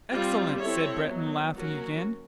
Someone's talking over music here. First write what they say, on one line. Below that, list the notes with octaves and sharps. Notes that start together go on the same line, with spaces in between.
"Excellent!" said Breton, laughing again.
G3 C4 F4
C4 E4 A4 C#5 E5
F#3 B3 D#4
F#3 A#3 C#4 F#4 A#4